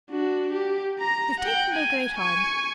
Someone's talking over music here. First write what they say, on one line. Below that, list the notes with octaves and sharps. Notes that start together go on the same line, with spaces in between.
"You've taken no great harm."
D4 F#4
G4
A#5 A#6
F#5 G5
G#5
G#5 C#6